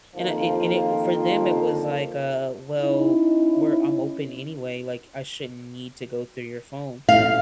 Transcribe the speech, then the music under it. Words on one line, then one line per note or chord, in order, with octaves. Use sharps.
and I and it and it for them, it was like, uh, "Well, we're I'm open anyway, like, I shouldn't need to go through your phone,"
F2 D#3 F3 A#3
C#4 D#4 E4
F5